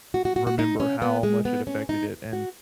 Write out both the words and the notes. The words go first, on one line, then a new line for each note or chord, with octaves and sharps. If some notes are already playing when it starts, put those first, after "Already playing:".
remember how much it affected it and,
F#4
F#4
F#4
F#4
D#4
C#4
B3
G#3
B3
C#4
D#4
F#4